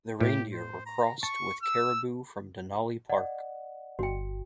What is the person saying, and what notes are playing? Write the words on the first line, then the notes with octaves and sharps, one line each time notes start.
The reindeer were crossed with caribou from Denali Park.
A2 G4
C5
A#5
A5 C#6
E6
D5 D#5 F#5
G1 F#4 G5